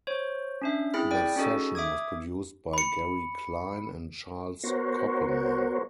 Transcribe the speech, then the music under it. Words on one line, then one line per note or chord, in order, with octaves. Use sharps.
The session was produced by Gary Klein and Charles Koppelman.
C5 C#5
C#4 D4 E5
C4 E4 G#4 B5 F6
D5 G5
C#4 D#4 F#4 G#4 A4 D#5
E5 D6 D#6 G#6
B5 C#7
B3 F#4 A#4 C5 C#5